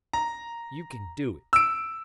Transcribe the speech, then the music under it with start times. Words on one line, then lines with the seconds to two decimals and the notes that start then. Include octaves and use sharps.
You can do it.
0.13 A#5
1.53 E6 D7